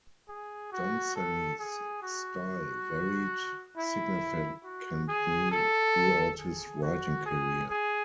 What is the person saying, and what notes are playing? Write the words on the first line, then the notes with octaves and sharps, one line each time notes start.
Dunsany's style varied significantly throughout his writing career.
G#4
F#4
A4
G#4
F#4
E4
F#4
G#4
A4
G#4
F#4
G#4
G#4